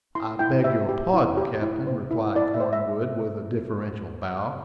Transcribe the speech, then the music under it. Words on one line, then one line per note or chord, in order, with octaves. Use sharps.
"I beg your pardon, captain," replied Cornwood with a deferential bow.
E4 C6
E4 G5
G4 E5
G4
E4
G4
E4
C5
E4
E4 D5
E5
C5
E5